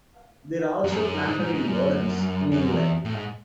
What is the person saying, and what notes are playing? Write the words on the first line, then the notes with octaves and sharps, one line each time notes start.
They are also planted in gardens in England.
F#2
G#2
F#2
G#2
G#2
G#2
F#2
F#2
E2
A2
G#2